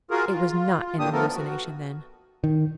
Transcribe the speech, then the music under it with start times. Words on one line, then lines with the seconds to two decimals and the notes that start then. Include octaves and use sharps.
It was not an hallucination, then.
0.11 F4 F#4 G#4 A#4
0.27 F4
0.85 F4
0.99 A2 A#3 D4 G4 D#6
1.12 F3 A3 B3 A4 A#4
1.35 F#4
2.44 D#3